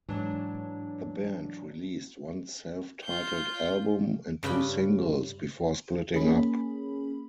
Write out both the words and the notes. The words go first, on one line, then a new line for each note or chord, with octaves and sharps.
The band released one self-titled album and two singles before splitting up.
G#2 E3 F#3 D4
F4 G6
G2 C#3 B4 G5 B5
A#3 C#4 G#4 B5